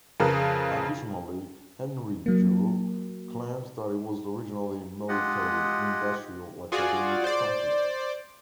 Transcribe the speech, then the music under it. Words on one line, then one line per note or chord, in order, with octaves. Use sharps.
Additionally, Henry Giroux claims that it was originally "military-industrial-academic complex".
F2 C#3 A#4 B4
F#3 A#3
G#3 F4 G4 D#5 F#5
F4 F#4 G#4 D5
C5 D5